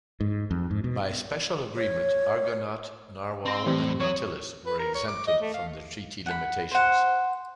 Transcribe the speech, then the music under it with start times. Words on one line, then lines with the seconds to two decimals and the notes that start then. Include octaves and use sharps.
By special agreement, "Argonaut", "Narwhal", and "Nautilus" were exempted from the treaty limitations.
0.21 G#2
0.51 F2
0.71 G#2
0.84 B2
1.76 C#5
3.45 C4 C6 A#6
3.66 A2 E3 G3 C4
4.00 F#3 C#5 D#6
4.66 B4
4.79 A#4
4.95 C#5
5.08 D6
5.27 D#5
5.42 A3
5.54 F5
6.26 F#5 G5 B5
6.71 C5 F#5